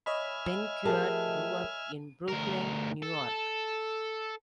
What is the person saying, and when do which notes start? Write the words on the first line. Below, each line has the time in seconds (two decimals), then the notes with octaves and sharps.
Benguiat grew up in Brooklyn, New York.
0.06 C#5 D#5 E5 G#5 B5 F6
0.85 F3 A3 G4 G#4 A#4 A5
2.28 D2 A#4
3.03 A4